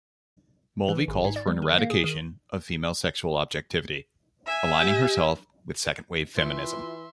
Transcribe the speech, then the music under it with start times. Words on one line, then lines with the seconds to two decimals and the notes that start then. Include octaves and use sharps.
Mulvey calls for an eradication of female sexual objectivity, aligning herself with second-wave feminism.
0.89 E3
1.08 G#1
1.25 G#2
1.36 D5
1.47 G3
1.62 D#3
1.78 A#3
1.90 G#4
2.04 D#3
4.46 E5 G#5
4.80 G4 F#5
6.36 E3 F4 E5 C6